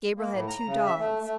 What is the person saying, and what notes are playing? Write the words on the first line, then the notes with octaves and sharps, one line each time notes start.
Gabriel had two dogs.
A#3
A2
A#5
C#3
E5
A3
A3